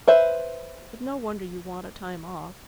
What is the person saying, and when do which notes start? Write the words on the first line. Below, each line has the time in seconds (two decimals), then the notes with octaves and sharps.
But no wonder you want a time off.
0.08 B4 C5 E5